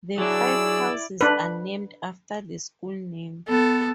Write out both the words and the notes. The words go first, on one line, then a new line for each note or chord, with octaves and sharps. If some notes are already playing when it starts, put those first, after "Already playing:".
The five houses are named after the school name.
F#3 D4 E4 G#4 D5 E6
D4 B4
B3 A4